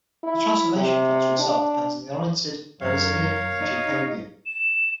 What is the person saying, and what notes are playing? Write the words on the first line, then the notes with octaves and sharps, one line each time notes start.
The transformation factor itself depends on the oriented Berezinian of the Jacobian.
E4
C3
D4
F#2 A#4 C#5 F5
D#4
E7